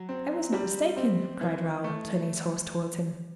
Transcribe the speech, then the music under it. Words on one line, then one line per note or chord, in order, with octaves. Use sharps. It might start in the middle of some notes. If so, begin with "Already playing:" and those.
"I was not mistaken!" cried Raoul, turning his horse towards him.
Already playing: F#3
C4
G3
C4
E3
A3